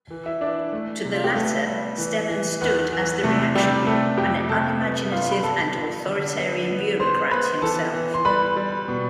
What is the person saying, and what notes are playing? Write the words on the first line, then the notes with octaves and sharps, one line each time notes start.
To the latter Stemann stood as the reactionary, an unimaginative and authoritarian bureaucrat himself.
E3
E4 E5
E3 D4 D5
A3
C3
F4
G4
A3 B3 A4
G3
E3
E3
E2 B3 B4
E3
C3 A3 A4
C3 G3 G4
C3 A3 A4
F2 G4 G5
C3 A4 A5
B3
G2 F4 F5
B5
G2 A4 A5
F3
D3
B3
B3
B3 C5 C6
B3 B4 B5
E3 A4 A5
E3
C6
G3 B4 B5
G3
B2